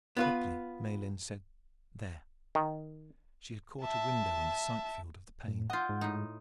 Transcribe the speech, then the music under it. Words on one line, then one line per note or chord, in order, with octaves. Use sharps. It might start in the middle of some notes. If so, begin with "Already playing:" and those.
Abruptly Miellyn said, "There." She had caught a window in the sight field of the pane.
B3 F4 B4
D#3
E5 A5
A2
F4 D#5 F#5 G6
G#2
A2 D#4